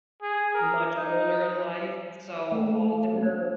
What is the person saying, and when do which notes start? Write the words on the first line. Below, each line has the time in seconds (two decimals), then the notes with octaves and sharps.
much older in life, so all their
0.22 G#4
0.54 A#4
0.96 D#4
2.52 A3